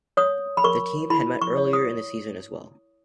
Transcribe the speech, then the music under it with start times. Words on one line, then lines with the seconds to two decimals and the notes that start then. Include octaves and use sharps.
The teams had met earlier in the season as well.
0.17 C#5 D#6
0.57 B5
0.64 A#4 C#6
1.10 E4 B5
1.42 C#6
1.57 C#5
1.73 D#6